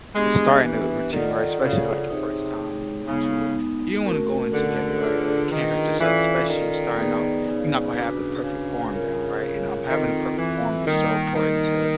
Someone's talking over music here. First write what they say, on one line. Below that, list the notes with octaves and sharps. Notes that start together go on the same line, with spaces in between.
starting a routine, right? Especially, like, your first time, you're new to it. You don't wanna go in too heavy, right, or you can hurt yourself, especially starting off. You're not gonna have the perfect form down, right? And, um, having a perfect form is so important to,
G#3 B3 D4 G4
E3
D#3 F4 A4 D5 F#5
C#3
C3 D#4 G#4 C#5
C#3 G#3 B3 D#4
A3 C#4 F#4 A#4
D3
D4 F4 G#4 B4
D#3
E3 C#4 F4 A4 D5 F5
D#3
B3 D#4 G#4 B4 D5
C#3
D4 F#4 B4
C#3
F4 A#4 C#5
D#3 C4 F4 A4
E3
D#3 G3 A#3 D#4
D#3